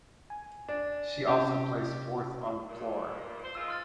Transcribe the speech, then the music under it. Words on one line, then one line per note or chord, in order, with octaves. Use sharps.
She also placed fourth on floor.
G#5
D4
C3 C#4 G4
G2 A#2
C5
G#3 D#4 F4 E6
C6 F6 A6